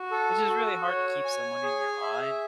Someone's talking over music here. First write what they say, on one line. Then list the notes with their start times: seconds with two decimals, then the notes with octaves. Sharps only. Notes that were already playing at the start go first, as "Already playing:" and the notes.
It's just really hard to keep someone in your mind.
Already playing: F#4
0.11 A4
0.49 F#4
0.87 C#5
1.25 G#5
1.63 G#4
2.02 E5